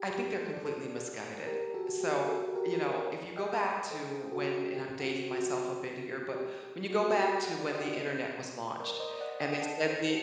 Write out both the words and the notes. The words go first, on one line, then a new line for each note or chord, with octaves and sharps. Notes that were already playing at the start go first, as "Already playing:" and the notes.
I think they're completely misguided. So, you know, if you go back to when and I'm dating myself a bit here, but when you go back to when the internet was launched and they said the
Already playing: G4
G4
A4 C5
D5
A4 C5
G4 A#4
F#4 A4
G4
F#4 A4
G4 A#4
A#4 D5
D#5 G5
D#5 G5
A4 C5
F#4 A4
G4
F#4
F#4
G4
G4
F#4
A4
G4
F#5
G5
D5 F#5
C5 D#5
A#4 D5
C5 D#5
D5 F#5
D#5 G5
F#5 A5
A4 C5